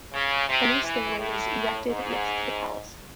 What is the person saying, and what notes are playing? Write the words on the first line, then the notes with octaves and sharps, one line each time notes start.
A new stairway was erected next to the palas.
C#3
C3
E3
A2
G#2